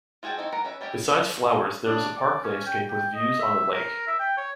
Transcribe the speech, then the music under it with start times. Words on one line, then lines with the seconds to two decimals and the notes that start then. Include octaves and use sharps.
Beside flowers there is a park landscape with views on the lake.
0.23 F4 F#4 G#4 A4 G5
0.37 C4 D#4 E4
0.52 B3 A#4 F#5 A#5
0.65 C#4 B4 E5
0.81 G3 A3 C#4 G4
1.86 D4
2.16 D5
2.44 C#4
2.67 G5
2.89 G5
3.15 D#5
3.40 E5
3.73 A#4
4.07 E5
4.20 G5
4.37 C#5